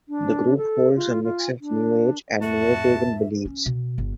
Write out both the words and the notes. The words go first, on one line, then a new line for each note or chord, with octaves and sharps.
The group holds a mix of New Age and neopagan beliefs.
D4
A4
F4
F4
D4
F2 A2 F#4 E5 A5
C#4
B2
G1